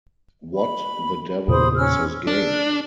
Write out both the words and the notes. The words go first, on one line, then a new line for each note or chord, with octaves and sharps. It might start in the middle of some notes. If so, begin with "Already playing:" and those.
What the devil is his game?
B5
E2 A#2 C#3 C5 B5 D#6
C#4 E6 F6
D4